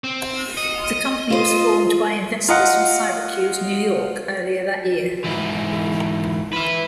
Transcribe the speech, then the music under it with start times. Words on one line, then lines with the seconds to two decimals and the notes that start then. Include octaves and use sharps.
The company was formed by investors from Syracuse, New York, earlier that year.
0.04 C4
0.57 D#5
1.30 F4 C5
2.48 F4 D#5 F#5
5.24 G#2 E3
6.53 B4 E5